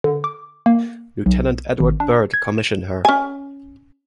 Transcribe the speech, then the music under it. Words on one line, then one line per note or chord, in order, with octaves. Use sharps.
Lieutenant Edward Burt commissioned her.
D3
D6
A#3
B1
G#1
D4
G#6
E7
C#4 G#5